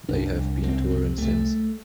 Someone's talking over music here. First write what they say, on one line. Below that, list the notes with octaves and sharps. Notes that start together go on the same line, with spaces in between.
They have been touring since.
C2 D4
C2
C2 C4
C3
C2 A3